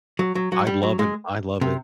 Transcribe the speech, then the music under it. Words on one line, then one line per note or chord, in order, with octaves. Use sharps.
I'd love it I love it,
F#3
F#3
F#3
G3
F#3
G#3
C3